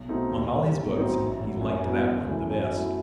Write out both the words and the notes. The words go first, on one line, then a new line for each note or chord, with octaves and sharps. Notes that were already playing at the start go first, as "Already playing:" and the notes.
Among all his books, he liked that one the best.
Already playing: B1
B2 A3 C4 D#4
D#2
D#3 G3
B1
A2 F#3 C4 D#4
A1
A2 F#3
F#2
F#3 B3 E4
F#2
E3 A3 E4
F#2
F#3 A3 E4